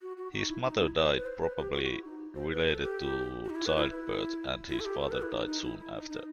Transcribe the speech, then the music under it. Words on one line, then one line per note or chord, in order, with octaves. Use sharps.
His mother died probably related to childbirth, and his father died soon after.
F#4
F#4
D#4
E4
D#4
E4
B4
C5
B4
C5
B4
G4
F#4
F#4
E4
D#4
C5
B4
A4
G4
F#4
D#4
E4
B4
E4
E4
E4
A4
G4
A4
B4
E4
D#4
D#4
E4
E4
D#4
D#4